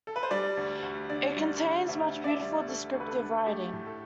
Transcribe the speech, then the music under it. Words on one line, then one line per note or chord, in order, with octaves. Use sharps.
It contains much beautiful descriptive writing.
A4
B4
C5
G3 D5
D2
D2
D3 D5
G3
D2
D2 E5
D3
D5
E5
G3
D2 A4
D2
B4
A4
D3
A3 G4
A2
A4